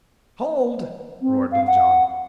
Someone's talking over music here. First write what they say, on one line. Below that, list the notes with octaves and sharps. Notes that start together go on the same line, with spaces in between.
"Hold!" roared Little John.
C4
F5
F#5